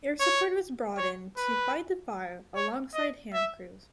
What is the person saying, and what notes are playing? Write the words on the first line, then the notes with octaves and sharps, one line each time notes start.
Air support was brought in to fight the fire alongside hand crews.
C#5
C#5
B4
C#5
D#5
E5